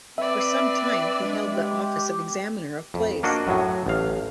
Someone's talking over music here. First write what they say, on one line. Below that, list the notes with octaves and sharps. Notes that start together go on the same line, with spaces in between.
For some time he held the office of examiner of plays.
C4 B4 D5 E5
G#3 D4
G4
F2
A#3 D4 F#4 D#5
F#2 A2 F#3
A1 F5